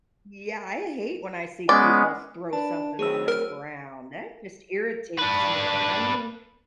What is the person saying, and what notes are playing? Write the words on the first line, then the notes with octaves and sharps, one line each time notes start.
Yeah, I hate when I see people throw something on the ground. That just irritates me. I mean,
G#3 B3 C#4 D5
D4 B4 A5
F#3 A3 C4 G#4 B4 E6
A#4 F6
D4 B4